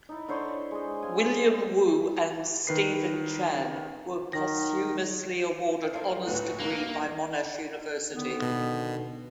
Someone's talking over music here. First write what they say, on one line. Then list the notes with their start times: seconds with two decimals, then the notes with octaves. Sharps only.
William Wu and Steven Chan were posthumously awarded honours degrees by Monash University.
0.09 D#4 E4
0.28 D3 E4 C5 C#5
0.71 G#3 D#5
1.02 C4 F5 G#5
2.67 D#3 B4 C7
4.33 D#3 A#6
5.94 A3 A#3 A4 C5 F5
6.27 D2 A2 G#3 F4 F#4 B4
6.60 D2 G2 A#3 D#4
8.11 D3 D#3 B3
8.42 B2